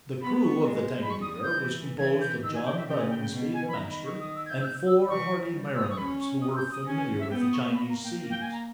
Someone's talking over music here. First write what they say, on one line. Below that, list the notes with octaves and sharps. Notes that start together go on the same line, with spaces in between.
The crew of the Tankadere was composed of John Bunsby, the master, and four hardy mariners, who were familiar with the Chinese seas.
B3 B5
C#6
G#3
B5
G3 C#6
D#6
D#6
G6
E3
E3 G#6
G6
D#3 E6
G#5
G5
E5
C#3 G5
G#5
G5
G5
B2
G#5
B5
D#3 A#5
B5
C#6
D#6
E6
G#6
G6
E6
G6
E6
E3 C#6
G3
E6
D#6
C#6
C#4 B5
C#6
D#6
G6
D#6
C#4 G#5
G#5
E5
B3 G5
D#6
C#6
C#6
A#3 B5
A#5
G5
A#3
G5
G#5
A#5